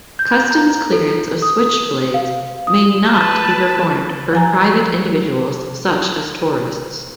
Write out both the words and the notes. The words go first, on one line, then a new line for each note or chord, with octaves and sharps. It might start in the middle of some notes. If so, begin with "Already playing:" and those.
Customs clearance of switchblades may not be performed for private individuals such as tourists.
G6
A#5
A4
D#6
F5
D#6
B4 A5
F3 G#5 A#5